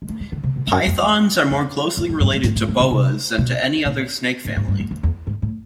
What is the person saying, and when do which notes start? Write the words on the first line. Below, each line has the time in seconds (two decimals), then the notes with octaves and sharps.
Pythons are more closely related to boas than to any other snake family.
0.02 G#3
0.09 A3
0.20 G#3
0.32 D3
0.43 C3
0.56 B2
0.67 F2
0.71 F#2
0.87 F2
1.02 E2
1.50 F2
1.97 F2
2.09 F#2
2.20 G2
2.33 G#2
2.44 A2
2.56 A2
2.68 G#2
2.80 B2
2.91 C3
3.38 B2
3.85 A#2
4.45 A2
4.56 G#2
4.68 G2
4.80 F#2
4.91 F2
5.03 E2
5.27 G#2
5.42 A2